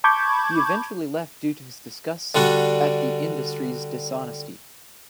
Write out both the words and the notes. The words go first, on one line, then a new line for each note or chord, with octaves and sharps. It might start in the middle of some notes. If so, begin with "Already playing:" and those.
He eventually left due to his disgust at the industry's dishonesty.
A5 B5 C#6 D6 G6 G#6
D3 G3 D4 F#4